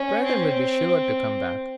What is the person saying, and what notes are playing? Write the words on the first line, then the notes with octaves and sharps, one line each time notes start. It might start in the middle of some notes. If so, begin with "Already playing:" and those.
Brother will be sure to come back.
Already playing: C#4
C4